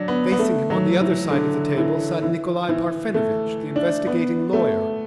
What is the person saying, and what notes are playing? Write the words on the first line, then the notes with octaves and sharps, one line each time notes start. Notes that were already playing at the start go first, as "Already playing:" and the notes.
Facing him on the other side of the table sat Nikolay Parfenovitch, the investigating lawyer.
Already playing: F#3 D4
B3
B3
A3
F#3
E3
D3
E3
E3
E3
A3
D4
B3
A3